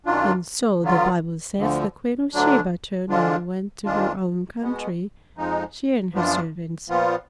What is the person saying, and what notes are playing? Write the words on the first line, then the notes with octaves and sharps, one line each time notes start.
And so, the Bible says, the Queen of Sheba turned and went to her own country, she and her servants.
F#2 D#3 F#3 D4 F4
D3 F#3 B3 F4
D2 D3 F3
D2 D3 F#3 D4
D3 F3 G#3 D4 F4
F2 D#3 G#3 D4 F4
B2 G#3 B3
F2 F3 G#3 D#4
F#2 F3 B3 D4 F4
A#2 F3 B3 F4